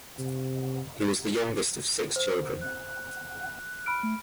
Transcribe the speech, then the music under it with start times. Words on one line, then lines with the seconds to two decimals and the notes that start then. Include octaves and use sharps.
He was the youngest of six children.
0.19 C3
2.16 C5
2.61 F#6
3.86 B5 F6 D7
4.03 A3